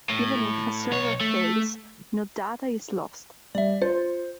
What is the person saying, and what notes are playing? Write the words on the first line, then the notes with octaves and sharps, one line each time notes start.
Even if a server fails no data is lost.
A2
B1 C#5
A3
G3 D5 E5
F4 C5